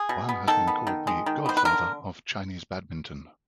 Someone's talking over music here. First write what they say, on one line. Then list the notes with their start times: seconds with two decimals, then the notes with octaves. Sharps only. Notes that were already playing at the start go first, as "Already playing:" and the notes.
Wang has been called the "Godfather" of Chinese badminton.
Already playing: G#4
0.09 B2
0.29 B3
0.48 D#3 A4
0.67 B3
0.87 D#3
1.07 G#3
1.26 D#3
1.46 B3 C5
1.57 B4
1.65 D3 A#4